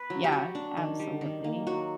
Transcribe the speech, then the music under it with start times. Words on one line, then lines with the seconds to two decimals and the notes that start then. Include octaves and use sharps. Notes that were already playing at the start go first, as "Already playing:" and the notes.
Yeah, absolutely.
Already playing: B4
0.10 F#3
0.24 G4
0.32 F#3 F#4
0.55 D4
0.77 D#3
0.99 G3
1.21 D#3
1.44 A#3
1.67 F#3 F#4